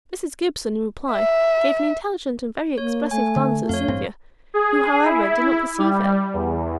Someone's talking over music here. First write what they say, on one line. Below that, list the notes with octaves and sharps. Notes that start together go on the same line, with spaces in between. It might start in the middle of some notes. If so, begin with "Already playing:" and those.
Mrs. Gibson in reply gave an intelligent and very expressive glance at Cynthia, who however did not perceive it.
E5
A#3 C#5
A3 G#5
D3
F2 C#5 F5
A1 G2 C4
G#4
E4
G3
E2